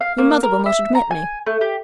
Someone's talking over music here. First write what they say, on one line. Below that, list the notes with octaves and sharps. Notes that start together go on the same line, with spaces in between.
"Your mother will not admit me."
F5
A#3
A#4
E5
A#5
G#5
A3
G4